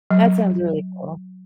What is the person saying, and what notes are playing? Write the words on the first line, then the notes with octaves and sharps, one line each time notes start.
that sounds really cool.
F#3